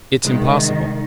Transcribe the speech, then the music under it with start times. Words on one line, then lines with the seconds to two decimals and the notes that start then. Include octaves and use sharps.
"It's impossible!"
0.25 C2 D#3 G#3